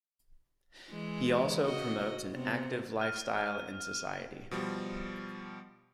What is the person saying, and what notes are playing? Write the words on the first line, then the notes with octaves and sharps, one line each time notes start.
He also promotes an active lifestyle in society.
E3 G#3
C#3 F#4 D#5
C3 B3 C4
F6 D#7
B2 F3 G3